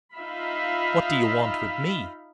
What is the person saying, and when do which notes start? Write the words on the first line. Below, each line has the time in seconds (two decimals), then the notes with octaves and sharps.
What do you want with me?'
0.15 D#4 F4 E5 F5 B5